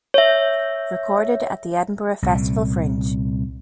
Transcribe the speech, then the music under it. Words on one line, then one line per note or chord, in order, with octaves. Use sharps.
Recorded at the Edinburgh Festival Fringe.
C#5 E5
C2 A#2